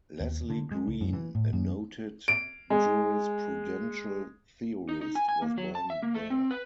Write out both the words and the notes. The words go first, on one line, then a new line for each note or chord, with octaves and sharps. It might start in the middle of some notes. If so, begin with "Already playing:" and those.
Leslie Green, a noted jurisprudential theorist was born there.
D#2
D3
G#3
C#2
F#2
E3
A2
F#2
D7
G#3
D#4
D#4
G#5
G#5
A#3
F#3
A5
E5
A#3
A3
C4
B4